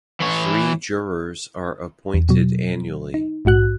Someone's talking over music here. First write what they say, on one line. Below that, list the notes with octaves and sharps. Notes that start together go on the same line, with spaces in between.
Three jurors are appointed annually.
E3 C#5
E2
B2 F#3
D#4
A#1 G#2 F#4 F#6